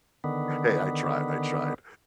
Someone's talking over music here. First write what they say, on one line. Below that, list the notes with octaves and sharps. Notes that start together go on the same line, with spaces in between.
Hey, I tried, I tried.
D3 D#3 B3